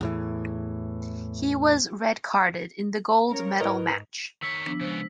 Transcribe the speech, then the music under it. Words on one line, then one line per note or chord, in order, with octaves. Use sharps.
He was red-carded in the gold medal match.
E2 A2 E3
F3 C#4 A#4 C#5
G#2 E4 A#4 B4 C#5 D#5
D#3 C#5 E6 B6
F3 B3 D4
C#3 G#3 B3 C5